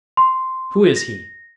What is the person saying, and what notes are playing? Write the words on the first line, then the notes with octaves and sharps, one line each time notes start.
Who is he?'
C6
A#6